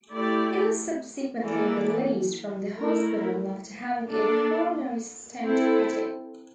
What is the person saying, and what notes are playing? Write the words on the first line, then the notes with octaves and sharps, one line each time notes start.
He was subsequently released from the hospital after having a coronary stent fitted.
A3 E4 G4 D5
E3 A#3 E4 A4 D5
A3 E4 A#4
A#3 D4 A4 D5
C4 E4 A4